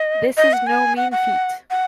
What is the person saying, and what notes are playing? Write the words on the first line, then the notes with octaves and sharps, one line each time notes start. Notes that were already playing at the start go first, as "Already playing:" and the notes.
This is no mean feat.
Already playing: D#5
D#5
F#5
G#5
F#5
F#5
F#5